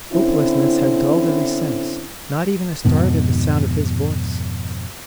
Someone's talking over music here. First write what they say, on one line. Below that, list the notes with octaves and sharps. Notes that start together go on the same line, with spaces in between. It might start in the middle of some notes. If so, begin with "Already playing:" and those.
Hopelessness had dulled every sense: not even a start at the sound of his voice!
D3 C4 C#4 E4
F2 G#2 B2 D#3